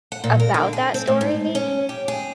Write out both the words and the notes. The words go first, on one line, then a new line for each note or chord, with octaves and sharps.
about that story
F#5
A#2
A#4
D3
G#4
C4
A2
G#2
C#4
G4
G#4